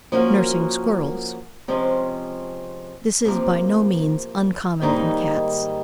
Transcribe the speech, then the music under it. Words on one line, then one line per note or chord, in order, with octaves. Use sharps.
NURSING SQUIRRELS.--This is by no means uncommon in cats.
F3 A#3 C#4 F#4 A#4
C3 F3 G#3 C#4
C3 F3 A#3
G#2 D#3 G3 A#3 D#4